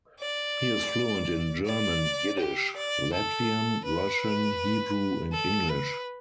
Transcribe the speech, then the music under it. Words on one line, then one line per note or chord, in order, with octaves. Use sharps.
He is fluent in German, Yiddish, Latvian, Russian, Hebrew and English.
D5
D5
G4
D5
A4
B4
A4
B4